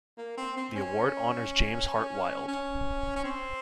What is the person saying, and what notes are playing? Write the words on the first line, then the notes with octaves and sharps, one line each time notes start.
The award honors James Hart Wyld.
A#3
C4
C4
C#4
C#4
C#4
C4